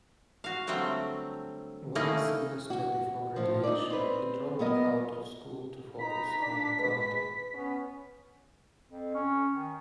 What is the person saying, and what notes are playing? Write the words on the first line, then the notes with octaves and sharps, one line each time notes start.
One semester before graduation, he dropped out of school to focus on comedy.
F#4 F5
D3 F#3 G3 A3 C4
A3 A#3 C#4 D#4 E4
F#4
A2 F3
D#4 D5
C4 B4
F#3 B3 A#4 D#5
D#4 B4 A#5 B6
D4
D#3 G#3 B4
B3 C#4
F2
C#4
D#3